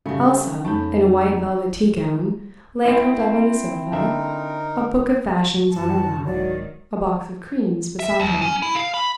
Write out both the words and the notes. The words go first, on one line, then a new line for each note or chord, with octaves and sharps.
Elsa, in a white velvet tea-gown, lay curled up on the sofa--a book of fashions on her lap, a box of creams beside her.
C#3 G3 A3 F#4
F2 C#4 D#4 A5 B5 G6
C4 E4
D3 D#4 A#4 E5
F#2 F#4 A5
C2 G#2 D#3 F#3 D5
E5
D#2
C#4
E4
F5
B5